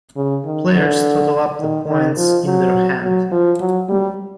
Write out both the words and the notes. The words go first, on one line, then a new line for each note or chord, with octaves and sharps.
Players total up the points in their hand.
C#3
D#3
D3
D#3
D#3
F3
F#3
F#3
F3
F#3
G3